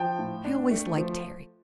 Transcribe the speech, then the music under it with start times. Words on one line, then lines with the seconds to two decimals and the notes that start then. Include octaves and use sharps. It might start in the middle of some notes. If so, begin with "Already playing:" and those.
I always liked Terry.
Already playing: F3 G5 A5
0.19 A2
0.44 D4
0.71 A3
0.97 F3